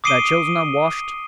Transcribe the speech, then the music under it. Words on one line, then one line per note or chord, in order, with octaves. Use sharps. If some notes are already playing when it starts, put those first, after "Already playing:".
Their children unwashed.
D6 D#6 C7 D7 D#7 G7